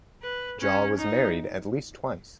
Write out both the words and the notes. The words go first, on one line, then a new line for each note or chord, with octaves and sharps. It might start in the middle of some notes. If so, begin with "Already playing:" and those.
Jaw was married at least twice.
B4
C#4
D#4